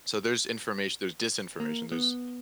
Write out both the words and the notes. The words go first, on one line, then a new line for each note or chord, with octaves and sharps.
so there's information, there's disinformation, there's
A#3
B3